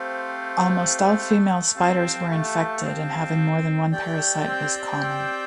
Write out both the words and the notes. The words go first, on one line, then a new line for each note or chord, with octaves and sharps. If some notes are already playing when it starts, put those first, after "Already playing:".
Almost all female spiders were infected and having more than one parasite was common.
Already playing: A3 C4 G4 C5 F5
C4 G4 F5 A5
A3
C4
A3 G4 D5 G5
C4
C4